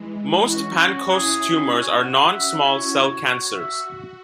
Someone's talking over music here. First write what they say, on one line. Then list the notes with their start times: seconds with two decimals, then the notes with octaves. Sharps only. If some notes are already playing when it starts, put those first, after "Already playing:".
Most Pancoast tumors are non-small cell cancers.
Already playing: E3 G#3
0.21 E4
0.50 C#4 F#4
0.81 C#4
1.11 E4 G#4
1.42 F#4
1.72 F#4 C#5
2.03 F#5
2.33 C#4 E5
2.64 E4 C#5
2.95 F#4
3.45 C#5
3.55 E5